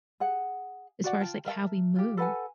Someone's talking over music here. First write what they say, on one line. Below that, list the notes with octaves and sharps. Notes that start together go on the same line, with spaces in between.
as far as, like, how we move.
G#4 F#5
F#4 D5 F#5
F4 G5 A5
A#4 E5 F5 A5
F4 G4
A4 B4 F#5 G#5